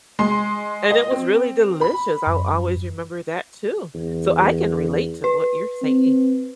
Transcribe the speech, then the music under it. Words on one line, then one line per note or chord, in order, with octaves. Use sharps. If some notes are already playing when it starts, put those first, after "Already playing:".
and it was really delicious. I'll always remember that too, so I can relate to what you're saying.
G#3 C6
D#5
C4
B5
F#2
E2
B4
C4